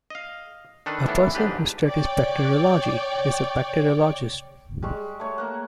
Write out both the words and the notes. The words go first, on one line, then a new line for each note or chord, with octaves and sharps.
A person who studies bacteriology is a bacteriologist.
D#5 F5
D#3 D4 A4 B4
A2 E3 B3 D4
A1 G#2 D4 G4 B4
C#5 D5 G5
G3 G#3 C#6
A3 C#5
A#3 F#5